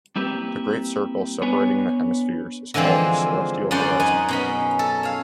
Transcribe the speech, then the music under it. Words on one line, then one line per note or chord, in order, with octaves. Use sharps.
The great circle separating the hemispheres is called the celestial horizon.
G3 A#3 C4 E4 G4 B4
B3 D4 B4 C#5 G#5
D3 E3 F3 G#3 C4
F#2 C#4 C5 D5 F#5 C6
D#4 F#5 G#5
B2 C#4 B5
A4
C#5 F5